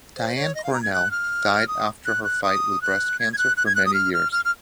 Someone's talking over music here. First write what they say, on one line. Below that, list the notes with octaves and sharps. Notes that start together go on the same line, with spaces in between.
Diane Cornell died after her fight with breast cancer for many years.
C5
C#5
D#5
F5
A#5
G#6
F#6
F6
D#6
F#6
F#6
D#6
F#6
G#6
G#6
F#6
F#6
G#6
F#6
D#6
F6
F6
F6
F6